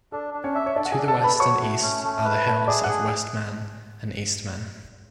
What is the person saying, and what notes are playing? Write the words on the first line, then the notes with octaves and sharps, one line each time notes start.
To the west and east are the hills of West Man and East Man.
D4 A4
D4
C#4 C#5
E5
C#5
D4 A4 D5
F#5
G#4 G#5
D4
A4 A5
A4
B4 B5
F#4 C#5 C#6
A3
C#4
A3
B4
A3
G#4 D5 D6
F#5 F#6
G#4